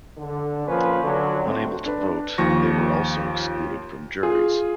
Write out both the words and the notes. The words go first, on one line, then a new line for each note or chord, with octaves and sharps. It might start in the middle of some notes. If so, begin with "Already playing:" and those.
Unable to vote, they were also excluded from juries.
D3
A#2 F3 C#4 B4
D3 F#3
D3 A3 C4
D4 B4
D#2 F3 C#6 A#6
F4 G#4